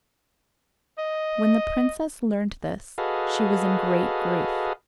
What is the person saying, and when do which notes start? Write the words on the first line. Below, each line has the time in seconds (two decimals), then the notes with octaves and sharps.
When the princess learnt this she was in great grief.
0.98 D#5
2.98 F#4 G#4 A4 B4 D#5 F5